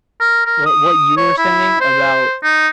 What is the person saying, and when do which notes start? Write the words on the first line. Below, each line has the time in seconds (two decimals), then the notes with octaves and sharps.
wh what you were saying about
0.20 A#4
0.46 A#4
0.66 D#6
1.17 C#5
1.38 E4
1.81 C5
2.44 D#4